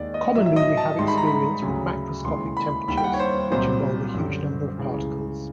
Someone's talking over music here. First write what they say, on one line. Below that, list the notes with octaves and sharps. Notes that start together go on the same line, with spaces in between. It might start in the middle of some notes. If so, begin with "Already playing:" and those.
Commonly we have experience with macroscopic temperatures, which involve a huge number of particles.
Already playing: D#2 D#3 G#3 D5
D#5
A2 F#3 E5
E5
D#5
A5
G#2 D#3 G3 C6
B5
A#5
B5
D2 C#3 F#3
D#2 C#3 E3 G#3 C6
B5
D#2 D#3 G3 B5
G5
F#5
C#5
C5
C2 A#2 F#3 C5
F#2 D3 G3
C#2 C#3 E3